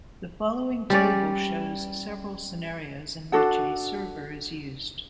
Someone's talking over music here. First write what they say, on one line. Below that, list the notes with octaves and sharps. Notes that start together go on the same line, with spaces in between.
The following table shows several scenarios in which a server is used.
G3 C#4 D5
D4 F#4 A4 F#5